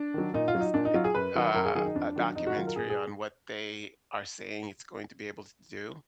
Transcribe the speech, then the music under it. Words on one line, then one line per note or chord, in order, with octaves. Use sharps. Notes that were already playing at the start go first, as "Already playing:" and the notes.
s eh uh, a documentary on what they are saying it's going to be able to do.
Already playing: D4
D#3 F#3
A#2 D#4
F4
F#3
D#4
A#2 D4
D#4
F#3 F4
G#4
F#2 B4
D#3 F#3
F#2 A#4
G#4
D#3 F#3 G#4
D#4
F2 D4
D#3 F#3
F2 D#4
F#4
D#3 F#3 F4
A#4
A#2 G#4
G#4